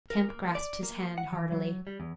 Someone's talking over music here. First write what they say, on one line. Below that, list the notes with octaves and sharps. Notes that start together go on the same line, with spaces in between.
Kemp grasped his hand heartily.
A#4
A#3
D5
A#3
F#5
E3
F#3
G3
E2